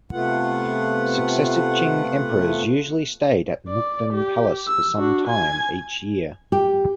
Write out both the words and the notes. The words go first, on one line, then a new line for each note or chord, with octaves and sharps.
Successive Qing emperors usually stayed at Mukden Palace for some time each year.
C3 A3 B3 F4 F#5
D5
G4
E6
D4 F#4
G#5 G#6
G4